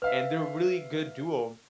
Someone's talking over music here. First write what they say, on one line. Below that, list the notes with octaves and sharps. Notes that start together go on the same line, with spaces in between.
and they're a really good duo,
B4 E5 F5 F6